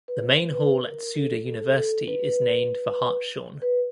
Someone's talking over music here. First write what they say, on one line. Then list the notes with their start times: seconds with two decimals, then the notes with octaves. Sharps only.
The main hall at Tsuda University is named for Hartshorne.
0.08 B4
0.23 C5
0.38 B4
0.54 B4
0.85 A#4
1.15 A4
1.46 A4
1.77 A4
2.08 B4
3.62 B4